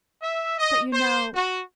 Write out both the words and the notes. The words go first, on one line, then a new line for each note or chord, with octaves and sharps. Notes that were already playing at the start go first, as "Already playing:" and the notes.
But you know....
E5
D#5
C5
F#4